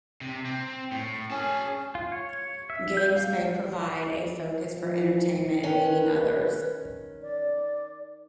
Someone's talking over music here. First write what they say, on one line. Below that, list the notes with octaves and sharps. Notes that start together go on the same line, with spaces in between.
Games may provide a focus for entertainment and meeting others.
C3
C4
A2
C#4 G#4 A5
F4
C#5
E5
G6
F5
F3
D#3 C#4 B4
D5